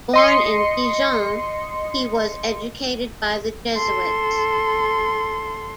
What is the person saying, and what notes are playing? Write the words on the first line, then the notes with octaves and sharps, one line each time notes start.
Born in Dijon, he was educated by the Jesuits.
D#5 C6 C#7
A4 C6